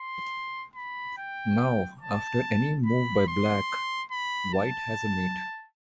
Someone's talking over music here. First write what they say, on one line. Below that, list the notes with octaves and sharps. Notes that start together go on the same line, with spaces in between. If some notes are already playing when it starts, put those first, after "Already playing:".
Now, after any move by Black, White has a mate.
Already playing: C6
B5
G5
A5
B5
C6
B5
A5